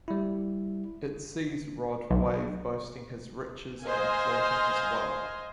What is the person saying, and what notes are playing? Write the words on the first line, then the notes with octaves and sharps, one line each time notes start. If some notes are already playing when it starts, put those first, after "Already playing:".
It sees Rod wave boasting his riches and flaunting his wealth.
G3 E4
B1
C5 D#5 F5 G#5